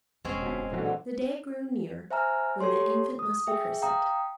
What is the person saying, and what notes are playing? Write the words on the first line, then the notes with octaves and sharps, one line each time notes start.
The day drew near when the infant must be christened.
E1 G#3 C4 C#4
G1 B2
A#1 D3 E3 F#3
C5 E5 G#5 A#5 F6
G4 A4 C#5 C6
D#6
G#4 E5 G5
F5 G5 A#5 D#6